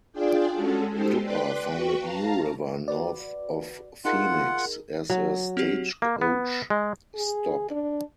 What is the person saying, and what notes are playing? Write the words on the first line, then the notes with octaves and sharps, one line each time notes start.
Duppa founded New River, north of Phoenix, as a stagecoach stop.
D4 F4 G#4 D5 G5
G#3 C#4 F#4 A4
G#3 D#4 G4 A4 C5
B4 D5 G5 C6 F#6
F#4 B4 G5 C#6
F5 A5 A#5
F#4 B4 D5
D#4 F4 G#4 A#4 F#5
F#3
C4 F#4 G4
A#3
B3
G#3
G#4
D4